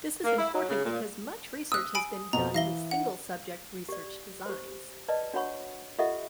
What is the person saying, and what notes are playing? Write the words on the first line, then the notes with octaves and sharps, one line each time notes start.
This is important because much research has been done with single-subject research designs.
A#3
E4
F#3
C#3
A#2
D#6 E6 F#6
G#5 B5 D7
F2 B2 A#5
E3 E5 F5 A#6 G7
F#5
G4 D5
G4 C5
B4 D5 D#5 A5
D4 F#4 C#5 F#5 B5 C#6
F4 G4 A4 D#5 E5 F#5